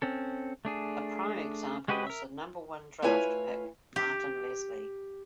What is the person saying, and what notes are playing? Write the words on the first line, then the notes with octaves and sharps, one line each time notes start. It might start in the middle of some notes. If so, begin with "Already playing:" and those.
A prime example was the number one draft pick, Martin Leslie.
C4 C#4 A4
A3 D4 G#4
G#3 F#4 G4 B4 D#5
A#4 E5
A3 E4 F4 B4 C#5 G#5
G4